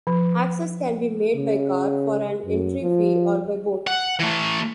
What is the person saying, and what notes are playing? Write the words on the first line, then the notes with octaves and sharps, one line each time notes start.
Access can be made by car for an entry fee or by boat.
F3
C#3
F#2
F3
F#5
E3 A3